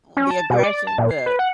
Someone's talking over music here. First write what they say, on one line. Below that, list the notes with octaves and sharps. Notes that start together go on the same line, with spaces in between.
The aggression the
C#4
A5
B2
D5
A5
A#2
C7
B4
F#5